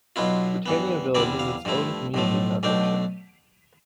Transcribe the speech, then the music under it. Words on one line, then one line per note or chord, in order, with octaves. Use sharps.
Britannia Village has its own Community Foundation.
B1 B2 B3 E4 F4
G2 E3 B3
E2 D3 G3 C4 E4 D5
F5
G2 F3 A3 E4
B1 A2 F3 A3
B1 B2 A3 D4 G5